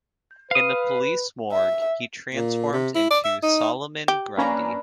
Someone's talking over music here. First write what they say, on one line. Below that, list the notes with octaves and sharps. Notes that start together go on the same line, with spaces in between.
In the police morgue, he transforms into Solomon Grundy.
B4 F5 D#6
E5
A#2
C3
E4
D5
E5
D#4
G4
A#3 C#4 D4 B4 A#5